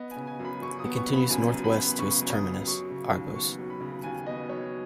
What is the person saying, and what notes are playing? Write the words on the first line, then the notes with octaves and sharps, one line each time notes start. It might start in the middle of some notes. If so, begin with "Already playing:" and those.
It continues northwest to its terminus, Argos.
Already playing: B3 D#5
G#5
C#3
G#5
F#2
B5
F#2 C#6
D#6
B3
C#6
C#3
B5
F#2 G#5
F#2
B5
B3
C#3 C#6
F#2
D#6
F#2
F#3 C#6
C#3
D#2
B3 C#6
F#3
B5
C#3
D#2 G#5
B3 D#5
F#3 C#5